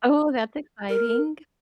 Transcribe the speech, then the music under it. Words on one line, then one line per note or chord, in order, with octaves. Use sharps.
Oh, that's exciting.
A#4